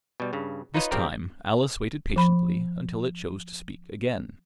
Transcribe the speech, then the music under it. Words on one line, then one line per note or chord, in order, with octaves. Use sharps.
This time Alice waited patiently until it chose to speak again.
B2 G3
G2 C#3
D#4 F4 B4 C#5 D#5
C2 C#3 F3 C4 G4 A#4
F3 B5